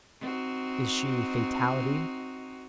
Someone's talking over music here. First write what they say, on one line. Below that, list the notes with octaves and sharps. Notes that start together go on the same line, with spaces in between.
Is she Fatality?
C4 D#4 F#4